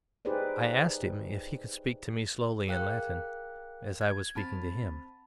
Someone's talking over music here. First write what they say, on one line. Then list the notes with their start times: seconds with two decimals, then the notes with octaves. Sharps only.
I asked him if he could speak to me slowly in Latin, as I was speaking to him.
0.25 D#4 G4 G#4 B4 C5 D5
2.67 G#4 A#4 F5 G5 F#6
4.01 G#6
4.35 C4 A5 B5 A6